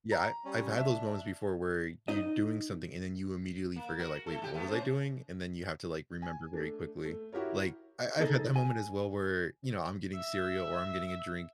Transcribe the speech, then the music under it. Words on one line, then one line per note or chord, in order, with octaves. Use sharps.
Yeah, I I've had those moments before where you doing something and then you immediately forget, like, "Wait, what was I doing?" And then you have to, like, remember very quickly. Like, I I've had that moment as well where, you know, I'm getting cereal or I'm getting a drink,
A#5
G3 C#4
D4 E5
D#4 D#5
A#3
F#4 A#4
A3 A4
G#2 G4
A3 B3 G4
C#4 C5
G#5
A3 D4
A3
E4 F#4 G4 A#4 C#5
D#4 G#4 A4 D#5
G#5
E5